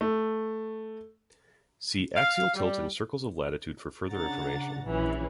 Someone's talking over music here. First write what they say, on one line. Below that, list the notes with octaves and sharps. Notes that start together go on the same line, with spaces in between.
See axial tilt and circles of latitude for further information.
A3
F5
G3
C#3 D4 F#5 A#5 A6
A#1 E3 F#3 C#4